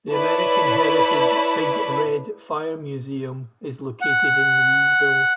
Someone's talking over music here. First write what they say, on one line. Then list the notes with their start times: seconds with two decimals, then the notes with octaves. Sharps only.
The American Heritage "Big Red" Fire Museum is located in Louisville.
0.12 E4 B4 C#5 D5 A5 B5
4.01 F#5